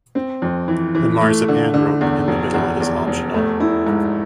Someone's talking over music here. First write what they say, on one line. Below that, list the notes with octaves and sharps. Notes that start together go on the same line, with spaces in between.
The marzipan rope in the middle is optional.
C4
F2
E3
E3
A3
D3
D3
E2
F1
E2
E2
F1
A3
E4
G#2